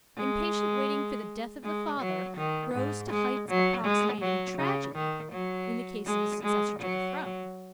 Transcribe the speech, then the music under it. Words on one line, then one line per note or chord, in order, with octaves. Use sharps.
Impatient waiting for the death of the father grows to heights approximating tragedy in the case of a successor to the throne.
G#3
G#3
F#3
D#3
G#2
G#3
F#3
G#3
F#3
C#3
D#3
F#3
G#3
G#3
F#3